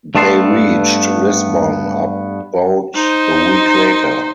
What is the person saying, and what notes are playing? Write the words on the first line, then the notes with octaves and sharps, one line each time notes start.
They reached Lisbon about a week later.
G2 A3 B3 A5 C6
D#4 C5